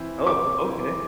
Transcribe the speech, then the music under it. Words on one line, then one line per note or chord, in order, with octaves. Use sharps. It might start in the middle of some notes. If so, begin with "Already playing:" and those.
Oh, okay.
Already playing: E3 C4 E4
C3 D6
E3 C4 E4